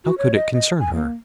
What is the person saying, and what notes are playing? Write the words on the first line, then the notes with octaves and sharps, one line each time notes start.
How could it concern her?
F#4
C#5
D#5
D#5
G#5
A#3